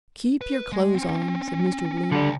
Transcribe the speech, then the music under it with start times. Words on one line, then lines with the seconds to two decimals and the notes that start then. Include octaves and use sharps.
"Keep your clothes on," said Mr. Bloom.
0.41 B4
0.72 G#3
0.96 C4 C#4
2.11 C#2 D3 G3 A5